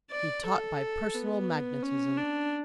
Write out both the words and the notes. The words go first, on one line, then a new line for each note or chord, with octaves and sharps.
He taught by personal magnetism.
D5
A4
B3
C#4
D4